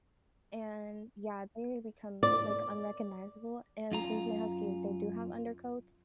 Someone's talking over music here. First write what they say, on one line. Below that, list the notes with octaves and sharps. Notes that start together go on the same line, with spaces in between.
and yeah, they become, like, unrecognizable, and since my huskies, they do have undercoats,
D5
F#2 F4 A#5